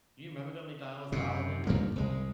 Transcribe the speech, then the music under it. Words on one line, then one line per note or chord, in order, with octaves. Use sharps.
You remember the McDonald's dollar menu?
F#2 C3
G2 F3 A#3
C2 G#3